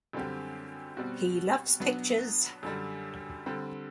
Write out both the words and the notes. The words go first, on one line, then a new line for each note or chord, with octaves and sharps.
He loves pictures!
F#2 D3 G3 C4 G4
B2 G3 C4 F#4
B2 F#3 B3 D4
F#2 D3 G3
D3 G3 C4